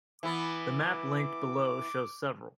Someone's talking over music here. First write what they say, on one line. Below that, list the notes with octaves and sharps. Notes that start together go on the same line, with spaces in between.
The map linked below shows several.
E3 B3 D6